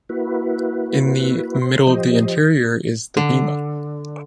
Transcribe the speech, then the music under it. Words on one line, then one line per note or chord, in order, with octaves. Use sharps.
In the middle of the interior is the Bema.
A#3 E4 F#4 B4
C5 C6
F3 G4 C5 D#5
D3